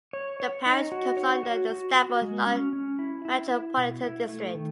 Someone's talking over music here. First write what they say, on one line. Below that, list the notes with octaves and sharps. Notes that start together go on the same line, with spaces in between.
The parish comes under the Stafford Non-Metropolitan District.
C#5
C#5
D#4
F#4
C#5
F#4
F#4
F#4
G#3
C#4
C#4
E4
E4
E4
B2
E4
A3
D#3